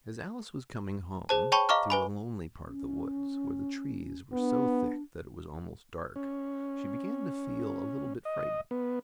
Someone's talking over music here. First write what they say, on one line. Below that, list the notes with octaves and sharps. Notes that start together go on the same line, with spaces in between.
As Alice was coming home, through a lonely part of the woods, where the trees were so thick that it was almost dark, she began to feel a little bit frightened.
G#4 C5 A5
C#5 G5 A5 B5 C#6
D#5 F5 A#5 C#6 D6 F6
B4 G#5 B5
C#4
B3 D4
C#4
D#5
B3